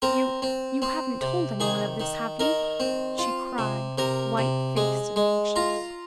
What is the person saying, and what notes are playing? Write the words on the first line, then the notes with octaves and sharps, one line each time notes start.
"You--you haven't told anyone of this, have you?" she cried, white-faced and anxious.
C4 A#4
C4
C4
C3
D#3 G#4
D#3
D#3 A#4
C4
F4
C3
C3 A#4
C3
G#3
G#3
F4 A#5